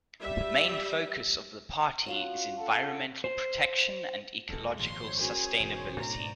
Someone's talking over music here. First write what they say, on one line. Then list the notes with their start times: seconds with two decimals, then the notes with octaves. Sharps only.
The main focus of the party is environmental protection and ecological sustainability.
0.22 G3 E5
2.06 C#4 F4 F#4 F5
2.58 A4 F#5 A5
3.24 C5
4.49 E2 B2 G#3 A4
4.79 G#1 A#2 F3 C5 C#5 C6
5.19 C#4 F#4 G#4 A#4
5.60 E1 G#2
5.99 G#2 B2 D4 D5 A#5